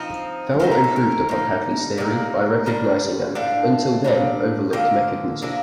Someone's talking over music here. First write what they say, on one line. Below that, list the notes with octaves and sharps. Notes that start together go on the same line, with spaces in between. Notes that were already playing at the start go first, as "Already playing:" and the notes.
Ferrel improved upon Hadley's theory by recognizing an until then overlooked mechanism.
Already playing: F3 C4 D#4
D#3 A3 D#4 C5
A#4
A4
A#4
D3 G3 A#3 D#4
C3 D#3 A#3 D#4 D5
D#3 G3 D4
A2 A3 D4 F5
A#2 G3 D4
D3 F3 A#3 G5
C3 F3 A#3 D4